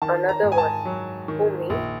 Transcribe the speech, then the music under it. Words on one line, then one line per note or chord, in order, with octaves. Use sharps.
Another one, Who me?
D#3 A5
A#5
G#2
G#5
A5
F#3
D#3
A#1